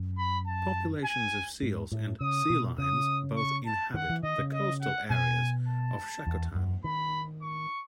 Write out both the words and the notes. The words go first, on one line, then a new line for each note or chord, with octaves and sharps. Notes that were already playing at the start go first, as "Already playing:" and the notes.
Populations of seals and sea lions both inhabit the coastal areas of Shakotan.
Already playing: F#2
B5
A5
G#5
G#2
A2
C#3 D#6
B2
C#3 D#6
C#6
A5
D#3 F#5
E3
D#3 D#5
C#3
D#5
F#5
B2 G#5
A5
E2
F#2
D#3 B5
C#6